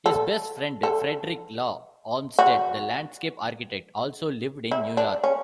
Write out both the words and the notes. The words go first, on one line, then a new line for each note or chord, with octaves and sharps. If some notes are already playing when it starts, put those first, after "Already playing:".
His best friend, Frederick Law Olmsted, the landscape architect, also lived in New York.
A4
A4
F#4
E4
D4
C#4